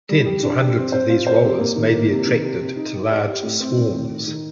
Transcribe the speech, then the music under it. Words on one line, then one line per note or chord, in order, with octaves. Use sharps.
Tens or hundreds of these rollers may be attracted to large swarms.
G3
G4
D4
G4
C4
C5
F4
C5
C3
A#3
D#3
A#3
C3
D#3
C3
C3
D#4
G4
D5
G4
A2
C4
A2
A2
D#3
D#3